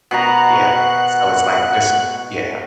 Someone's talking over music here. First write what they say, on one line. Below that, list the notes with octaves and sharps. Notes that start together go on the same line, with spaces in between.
Yeah. So it's like just yeah.
B2 F#4 F#5 A#5